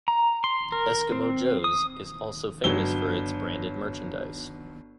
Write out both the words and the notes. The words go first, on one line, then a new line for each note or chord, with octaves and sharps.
Eskimo Joe's is also famous for its branded merchandise.
A#5
C6
A#4
C4
D#6
G1 F#3 G7